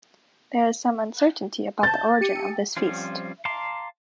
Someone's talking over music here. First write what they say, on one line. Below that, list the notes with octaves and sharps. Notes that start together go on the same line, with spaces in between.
There is some uncertainty about the origin of this feast.
A5 G6 A6
G4 C#7 D#7
F3 G3 C4 C#4 F4
F5 A5 A#5 C6 D6